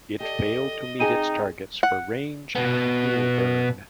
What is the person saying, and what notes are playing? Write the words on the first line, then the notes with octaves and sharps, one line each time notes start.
It failed to meet its targets for range and fuel burn.
G4 A4 D5 D#5
C4 D#4 G#4 G5 G#5 D#7
F#5
B2 B3